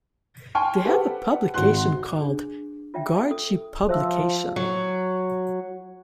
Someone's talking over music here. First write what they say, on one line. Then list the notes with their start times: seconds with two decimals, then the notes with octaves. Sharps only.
They have a publication called 'Gargi publication'.
0.55 G5 G#5 C6 C#6 F6
0.85 G4 A4 B4 C5 F#5
1.54 G#1 F#4 F#5 C6 F#6
2.21 D4 G#4
2.94 F4 E5 G5
3.31 A4 D#6
3.89 F3 C5 E5 E6
4.56 F#3